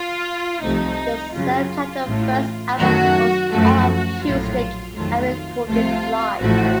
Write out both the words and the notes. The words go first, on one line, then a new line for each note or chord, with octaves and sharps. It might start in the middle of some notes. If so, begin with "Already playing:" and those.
The self-titled first album was all acoustic and recorded live.
Already playing: F4
C2 C3 F3 A3 D#4
F#2 C#3 F#3 F4
A1 A2 A3
F#2 D#3 F#3 A3 F#4
F#2 F3 A3 F#4
A#1 A2 F#3 F4
F2 D#3 F#3 A3 F4
C2 C3 F3 A3 F4
A1 A2 F3 A3 F#4